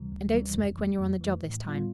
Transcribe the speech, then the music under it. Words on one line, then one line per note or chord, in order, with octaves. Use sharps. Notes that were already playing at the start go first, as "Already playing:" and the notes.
And don't smoke when you're on the job this time.
Already playing: D2 C3 E3 G3
D2
C3 E3 G3
F2
E3 A3
F2
E3 A3
A2
G3 B3 F4